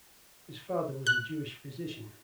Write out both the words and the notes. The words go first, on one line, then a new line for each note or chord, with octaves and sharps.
His father was a Jewish physician.
F#6